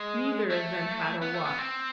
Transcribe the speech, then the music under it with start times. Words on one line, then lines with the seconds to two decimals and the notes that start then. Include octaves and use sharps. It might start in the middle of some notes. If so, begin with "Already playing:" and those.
Neither of them had a watch.
Already playing: G#3
0.50 A3
1.22 B3
1.34 A3
1.45 B3
1.58 C4